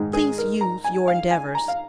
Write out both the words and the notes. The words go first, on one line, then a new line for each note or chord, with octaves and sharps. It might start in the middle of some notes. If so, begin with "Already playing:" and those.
Please use your endeavors.
Already playing: G#2 D#3 G#3 D#4
G#4
A#4
A#5
G#5
F5
G#5
A#5
F5